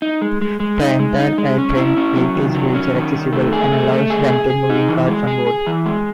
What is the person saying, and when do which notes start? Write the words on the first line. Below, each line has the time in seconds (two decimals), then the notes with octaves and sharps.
The entire AirTrain fleet is wheelchair accessible and allows rented moving carts on board.
0.02 D#4
0.21 G#3
0.41 G#3
0.60 G#3
0.80 D#4
0.99 G#3
1.18 D#4
1.38 G#3
1.58 C#4
1.77 E4
1.97 C#4
2.16 F#3
2.35 D#3
2.55 F#3
2.74 C#4
2.94 D#3
3.13 D#3
3.33 A3
3.53 G#4
3.72 A3
3.91 A3
4.10 G#4
4.30 G#4
4.50 G#4
4.70 D#4
4.89 E3
5.08 G#3
5.27 G#4
5.47 G#4
5.67 E3
5.86 G#3